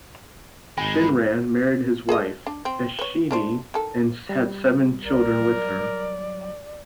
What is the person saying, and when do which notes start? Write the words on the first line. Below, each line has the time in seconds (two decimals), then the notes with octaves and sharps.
Shinran married his wife, Eshinni, and had seven children with her.
0.78 G#1 G#3 D#4 G#5 B5
2.09 G#4 A4 D#5
2.46 D4
2.65 C4
2.99 B4 C#5
3.31 A3 D4 C5
3.74 D#3 A4
4.29 G3
5.05 B1 A#4 D5
5.40 F#3